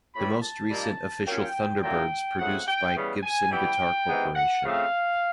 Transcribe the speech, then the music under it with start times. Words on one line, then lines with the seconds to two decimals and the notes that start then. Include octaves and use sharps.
The most recent official Thunderbirds produced by Gibson Guitar Corporation.
0.14 A2 E3 G3 B5
0.42 A5
0.70 A#2 G3 A#3 D#4
1.26 F#3 A#3 C#4 F4 G5
1.82 A#2 F#3 A3 D4 F4 G5
2.39 C#3 F3 A3 C4 F#5
2.67 G5
2.96 C#3 E3 G3 B3
3.23 G#5
3.51 E3 G3 B3 E4 G5
4.08 C3 E3 G#3 B3 D#4
4.35 F#5
4.63 C#3 F3 A3 C4 F5